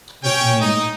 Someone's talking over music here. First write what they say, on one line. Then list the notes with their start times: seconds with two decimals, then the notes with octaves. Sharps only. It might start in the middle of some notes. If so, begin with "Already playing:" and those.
took me
0.24 C#4 C#5 G5
0.61 D#4